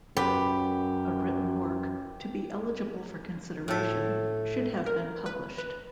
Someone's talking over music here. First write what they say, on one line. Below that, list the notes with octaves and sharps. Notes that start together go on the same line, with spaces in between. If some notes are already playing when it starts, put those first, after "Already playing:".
A written work, to be eligible for consideration, should have been published.
F#2 G4 B4
A2 A4
A#4
B4
B4